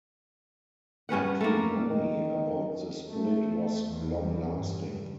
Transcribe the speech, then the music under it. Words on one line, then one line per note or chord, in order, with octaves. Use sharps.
Acrimony about the split was long-lasting.
G2 C#4 B4 F#5
A3 A#3
D#3
A3
E2
G2